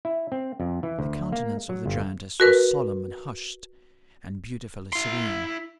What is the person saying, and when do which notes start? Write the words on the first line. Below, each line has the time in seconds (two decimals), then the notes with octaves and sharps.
The countenance of the giantess was solemn and hushed, and beautifully serene.
0.05 E4
0.32 C4
0.60 F2
0.83 E3
0.99 D2
1.32 A#3
1.69 F#3
1.86 G1
2.40 F#4 A#4 B4
4.93 E4 C6